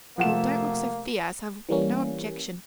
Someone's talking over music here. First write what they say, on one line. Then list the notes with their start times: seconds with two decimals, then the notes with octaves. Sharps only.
'Well, don't look so fierce; I've no objection.
0.18 C3 F3 A3 A#3 F#5 E7
1.69 E3 G3 A#3 C#4